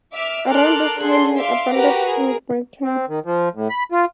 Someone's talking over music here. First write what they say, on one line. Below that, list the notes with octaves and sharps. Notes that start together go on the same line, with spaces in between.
Around this time he abandoned printmaking.
E5 D6 F6
A4 A#4 C6 D6 F6 F#6
D4 G#4 A4 F#5 C6
E5 F5 C6 D6
F#4 G4 A#4 B4 A#5
G#4 A#4
C4
D#3
F3
A2
B5
F4